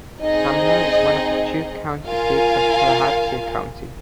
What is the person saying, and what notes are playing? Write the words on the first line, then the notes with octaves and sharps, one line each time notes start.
Sumner is one of the two county seats of Tallahatchie County.
C4 D#4 G#4 D#5
F4 A#4 F5 G#5